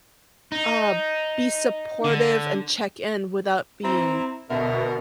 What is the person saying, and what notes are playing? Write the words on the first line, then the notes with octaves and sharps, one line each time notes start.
uh, be supportive and check in without being
D#4
D3
C4 E4 A#5
B2 D3 A#4 E5